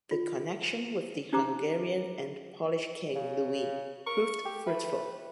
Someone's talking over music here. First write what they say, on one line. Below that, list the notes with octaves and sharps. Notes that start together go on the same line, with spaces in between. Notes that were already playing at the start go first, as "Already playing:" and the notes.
The connection with the Hungarian and Polish king Louis proved fruitful.
F4
C#4 D#4 G4 C5 A#5 D6
C#3
A#4 C#6
G4
A3 B4